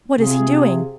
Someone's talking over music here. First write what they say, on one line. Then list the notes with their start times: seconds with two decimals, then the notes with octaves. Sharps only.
What is he doing?
0.18 C3 F4 G#4